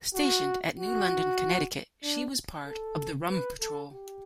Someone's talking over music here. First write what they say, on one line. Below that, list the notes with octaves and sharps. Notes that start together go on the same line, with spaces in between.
Stationed at New London, Connecticut, she was part of the Rum Patrol.
F#4
F#4
D4
A4
B4
A4
G4